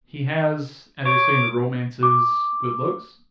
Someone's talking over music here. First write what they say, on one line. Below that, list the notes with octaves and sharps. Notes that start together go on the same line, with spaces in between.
He has--as they say in the romances--good looks.
C#5 D6
D6